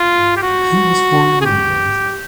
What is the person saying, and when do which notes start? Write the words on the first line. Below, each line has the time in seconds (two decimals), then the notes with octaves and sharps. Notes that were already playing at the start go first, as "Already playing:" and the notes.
He was born in England.
Already playing: F4
0.37 G4
0.42 F#4
1.41 G#4
1.45 G4